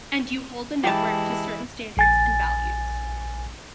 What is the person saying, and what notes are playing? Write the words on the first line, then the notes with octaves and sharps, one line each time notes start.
And you hold the network to certain standards and values.
E3 G#3 E4 G4 A5
A#1 G#5 A6